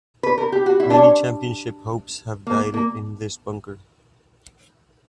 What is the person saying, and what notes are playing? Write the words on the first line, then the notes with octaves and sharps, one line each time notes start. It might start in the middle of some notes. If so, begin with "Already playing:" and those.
Many championship hopes have died in this bunker.
B4
A#4
G4
F#4
E4
D4
C#4
A#3
A#3